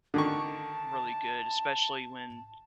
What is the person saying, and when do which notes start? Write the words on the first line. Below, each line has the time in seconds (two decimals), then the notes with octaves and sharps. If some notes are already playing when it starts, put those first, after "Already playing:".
really good, especially when,
0.14 D3 D#3 A5 C#6